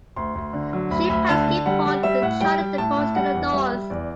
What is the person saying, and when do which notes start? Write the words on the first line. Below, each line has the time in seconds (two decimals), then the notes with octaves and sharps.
The ship passed Cape Horn, then charted a course to the north.
0.16 D2 C6
0.35 D2
0.53 D3
0.73 F#3
0.91 D2 B5
1.09 D2 B5
1.29 D3 A5
1.48 D3
1.66 G3 F#5
1.85 G3
2.03 G3 E5
2.22 A2 F#5
2.41 G3 G5
2.59 G3
2.78 A2 A5
2.97 A2
3.15 G3 F#5
3.34 E2
3.53 G3 E5
3.72 G3
3.90 E2 D5